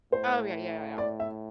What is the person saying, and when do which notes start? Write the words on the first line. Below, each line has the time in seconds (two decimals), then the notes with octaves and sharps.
Oh, yeah, yeah, yeah, yeah.
0.12 A2 C5
0.98 D5
1.20 E5